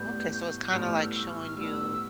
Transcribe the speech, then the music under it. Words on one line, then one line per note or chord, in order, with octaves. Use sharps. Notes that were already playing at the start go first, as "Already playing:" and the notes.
Okay, so, it's kinda, like, showing you,
Already playing: A2 G3 B3 G6
G6
A2 G3 B3 F6
E6
F6
E6
F6
A2 G3 B3 E6